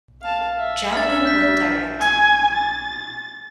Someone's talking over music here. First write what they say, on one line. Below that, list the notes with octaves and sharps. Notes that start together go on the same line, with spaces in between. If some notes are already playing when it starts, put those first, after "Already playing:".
Jablin will direct.
F5 A5
E5
D4 E5 F6 A6
G6 B6
G#5 G#6
A6